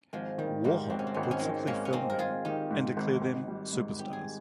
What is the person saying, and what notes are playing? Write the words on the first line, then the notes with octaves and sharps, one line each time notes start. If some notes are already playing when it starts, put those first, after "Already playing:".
Warhol would simply film them, and declare them "superstars".
G#1 F3 G#3
D#3 G3
G#2 G3 A#3
G#1 C4
C#4
C4
G#1 C#4
C4
C#4
D#3 G#3 C4
G#2 A#3 C#4
C#4
G#1 C4 D#4
A#4
G#1 F4 G#4
D#3 D#4 G4
G#2
G#1
G#1
G3
G#2
G#1 G4
G#4